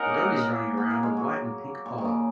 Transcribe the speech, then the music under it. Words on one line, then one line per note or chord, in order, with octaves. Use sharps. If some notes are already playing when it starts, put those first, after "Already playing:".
The dog is running around a white and pink pole.
Already playing: C#4 D#4 A#4 D#5 F#5
A#3
B3
A#3
B3
A#3
G#3
F#3
A#2
D#3
C#3